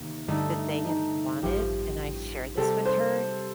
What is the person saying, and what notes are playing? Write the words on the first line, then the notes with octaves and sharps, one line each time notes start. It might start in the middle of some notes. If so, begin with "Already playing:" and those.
that they had wanted, and I shared this with her,
Already playing: D2 C3 D#3 A#3
G2 D3 A3 D#4 A4
D#4
A1 G2 F3 G4
C3 G3 C4 G4 A4
C5